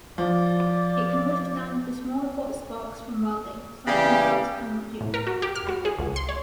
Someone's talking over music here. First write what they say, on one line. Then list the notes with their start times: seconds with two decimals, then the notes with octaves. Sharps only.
It can withstand the small hot sparks from welding, something glass cannot do.
0.18 F3 D5
3.87 C#3 E3 G3 G4
5.01 A2
5.14 A#4
5.27 F#4
5.42 G4
5.55 F6
5.69 F#4
5.85 G#4
5.99 C#2
6.16 C6
6.29 C#5